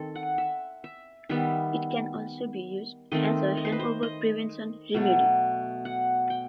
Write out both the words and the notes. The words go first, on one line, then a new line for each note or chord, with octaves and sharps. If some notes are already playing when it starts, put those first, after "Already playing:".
It can also be used as a hangover prevention remedy.
Already playing: D#3 C4 A4
F#5
E5
E5
D#3 G3 B3 E5
D#3 A3 C4 D#5
D#5
C5
B4
C5
D#5
B2 F#3 A3
F#5
G5